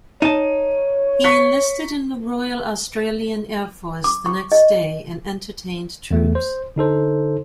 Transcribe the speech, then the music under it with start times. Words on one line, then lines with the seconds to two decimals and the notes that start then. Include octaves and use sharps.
He enlisted in the Royal Australian Air Force the next day and entertained troops.
0.22 D#4 C#5 A5 D#7
1.24 C#6 B6 C#7
4.04 D6
4.26 C#6
4.52 D#5
6.11 E2 A3
6.35 C5
6.76 D3 D#4 A4 C5